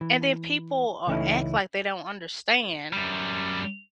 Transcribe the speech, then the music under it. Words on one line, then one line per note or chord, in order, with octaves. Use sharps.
And then people, uh, act like they don't understand
E3
C#2 E3 A3 C#4 D#4 E4
F#2 G3